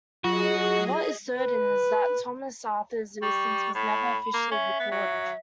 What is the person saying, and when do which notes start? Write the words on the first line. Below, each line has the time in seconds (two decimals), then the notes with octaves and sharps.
What is certain is that Thomas Arthur's innocence was never officially recorded.
0.24 F#3 F4 F#4 G#4 D#5
1.38 B4
3.22 G3 C#6
3.75 A2 B5
4.34 A#3
4.52 C#4 E5
4.80 B3
4.91 F#3